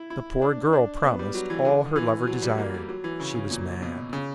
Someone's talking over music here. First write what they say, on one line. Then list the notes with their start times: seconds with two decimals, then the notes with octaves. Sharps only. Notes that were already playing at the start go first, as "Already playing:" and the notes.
The poor girl promised all her lover desired; she was mad.
Already playing: E4
0.10 E4
0.42 D4
0.73 D4
1.03 B3
1.19 G3
1.35 F#3
1.50 E3
1.65 D3
1.96 E3
2.27 F#3
2.42 G3
2.58 A#3
2.74 G3
2.89 F#3
3.04 E3
3.20 C#3
3.35 C#3
3.51 A#2
3.82 B2
4.13 C#3